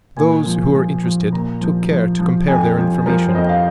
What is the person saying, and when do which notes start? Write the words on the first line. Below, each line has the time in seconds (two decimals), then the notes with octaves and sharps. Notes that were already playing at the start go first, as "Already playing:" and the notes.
Those who were interested took care to compare their information.
0.17 A#2 G#5
0.46 F3
0.75 F3
1.03 F3
1.32 A#2 A#5
1.61 F3
1.91 F3
2.19 F3
2.48 F2 G#5
2.77 F3
3.06 F3 A#4
3.28 C5
3.35 F2 D#5
3.49 F5